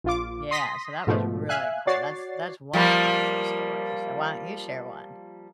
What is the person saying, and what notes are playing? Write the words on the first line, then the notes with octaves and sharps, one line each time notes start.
Yeah, so that was really cool. That's that's one concert story. So why don't you share one?
A#1 F4 D6
C6 D#6 A#6 B6
G#2 B2 F3 A3
E5 F5 G#5 F#6
F#4 C#5 D5 A6 C7
F3 G3 A#3